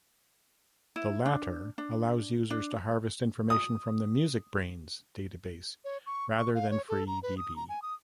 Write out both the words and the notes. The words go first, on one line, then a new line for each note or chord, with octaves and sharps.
The latter allows users to harvest information from the MusicBrainz database rather than freedb.
E4
D4
D4
D4
D#6
C#5
C#6
C#6
F5
C#5
A4
A#5
B4
D#6
A#5
G#5
D#6